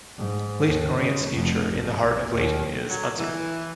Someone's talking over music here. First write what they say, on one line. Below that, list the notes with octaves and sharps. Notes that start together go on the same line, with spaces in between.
Leyton Orient's future in the heart of Leyton is uncertain.
G#2
D#2
C#3
F1
G#1
B1
D#2
F#3
E3